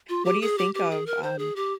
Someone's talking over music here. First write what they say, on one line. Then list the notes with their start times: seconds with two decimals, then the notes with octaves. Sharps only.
What do you think of, um
0.09 F4
0.25 G4
0.41 G#4
0.58 G4
0.74 G4
0.91 G#4
1.06 A#4
1.23 C5
1.39 G#4
1.56 G4